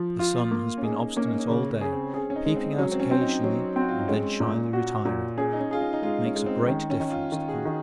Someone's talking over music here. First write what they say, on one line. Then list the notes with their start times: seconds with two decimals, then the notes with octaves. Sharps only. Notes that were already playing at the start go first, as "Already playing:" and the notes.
The sun has been obstinate all day, peeping out occasionally and then shyly retiring; it makes a great difference to comfort.
Already playing: F3
0.19 F4
0.51 A#3
0.78 C#4
0.83 D#4 G#4
1.16 A#3 C#4
1.27 D#4
1.38 C#4
1.48 C#3
1.70 C#4
1.81 G#4
1.92 C4
2.14 C#4 G#4
2.30 C#4
2.36 D#4
2.45 G#3
2.56 C4
2.78 F#3 C#4
2.92 C4
3.00 C#4
3.11 C4
3.21 D#4
3.44 F#3
3.76 C4 F#4
3.88 F4
3.99 D#4
4.08 G#3 C#4
4.40 A#2
4.73 F#4
5.05 A#2
5.37 C#4 G#4
5.53 D#4
5.59 C#4
5.71 F4 G#4
5.81 D#4
5.93 D#4
6.02 G#3 F4
6.25 C#4
6.36 G#3
6.46 C4
6.67 D#3 C#4
6.90 C#4
7.00 D#3
7.10 F4
7.32 D#3 F4
7.48 G#4
7.54 F#4
7.65 D#3